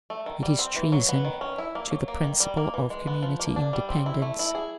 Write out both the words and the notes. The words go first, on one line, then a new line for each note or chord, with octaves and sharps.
It is treason to the principle of community independence.
A3
D#3
G3
C4
E3
F#3
B3
D#3
C#4
E4
A#3
F#3
A#3
D#3
G3
A#3
E3
G#3
B3
F3
A#3
D4
G3
C4
E4
A3
E4
G#4